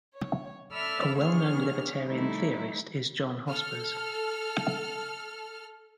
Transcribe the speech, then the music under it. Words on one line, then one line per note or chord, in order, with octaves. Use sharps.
A well known Libertarian theorist is John Hospers.
C#5
A4 D5 E5 B5 E6 F6
B3 D4 G#4 C#5 F6
D#3 G3 A3 D#4 E4
A4 F6